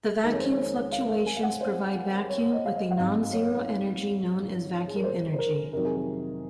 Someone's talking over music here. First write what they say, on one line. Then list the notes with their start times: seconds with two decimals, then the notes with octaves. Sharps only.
The vacuum fluctuations provide vacuum with a non-zero energy known as vacuum energy.
0.23 F2 D#3 G#3 A#4
0.33 C#5
0.40 C5
0.51 C#5
0.57 C5
0.75 C#5
0.92 F5
1.09 F5
1.26 G#5
1.36 F5
1.43 F#5
1.61 C5
2.29 C#5
2.52 D#5
2.66 F5
2.75 D#5
2.91 F#5
2.98 G#1 G#2 F#3 F5
3.33 C#5
4.88 G#4
4.96 A#4
5.04 C5
5.34 C5
5.39 A#4
5.72 F2 C3 D#3 F#3 A#4
5.85 G#4
5.97 A#4